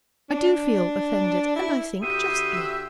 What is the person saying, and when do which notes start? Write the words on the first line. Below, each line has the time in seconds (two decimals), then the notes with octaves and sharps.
'I do feel offended; and, I think, justly.
0.30 D4
1.56 E4
2.02 D3 F#4 G4 B4 C5 E5 D#6